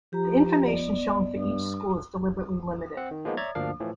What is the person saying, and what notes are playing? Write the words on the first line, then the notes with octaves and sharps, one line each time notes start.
The information shown for each school is deliberately limited.
F3 G4 A#5
B3 D5 D#5
G2
C4 F#5
D#3
F3 G#3 A#3 B3 D#4
C#5 D5 E5 A#5 G#6 A6
G1 D2 F3 A#3 D4 F5
A2 E3 F3